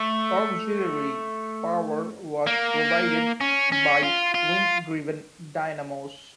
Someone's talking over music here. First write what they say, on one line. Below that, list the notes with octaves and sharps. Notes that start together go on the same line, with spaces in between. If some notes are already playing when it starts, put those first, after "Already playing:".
Auxiliary power was provided by wind-driven dynamos.
Already playing: A3
A#3
C#4
C#4
F4
F4